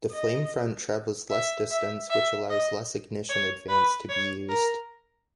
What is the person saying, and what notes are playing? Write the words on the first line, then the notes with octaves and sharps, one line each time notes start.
The flame front travels less distance which allows less ignition advance to be used.
D#5
E5
E5
E5
D#5
C#5
B4
C#5
A#4